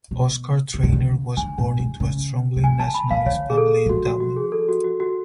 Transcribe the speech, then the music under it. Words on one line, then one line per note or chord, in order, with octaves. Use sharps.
Oscar Traynor was born into a strongly nationalist family in Dublin.
B2
C#3
D3
C#3
D3 G#5
A2
F#2
C#3
F#3
F3 G#5
F3 A5
B5
F3 F5
D3 C#5
G#4
A4
D3
F3 F#4
F#4
F#4
G#4
A4
F#4
F#4
F#4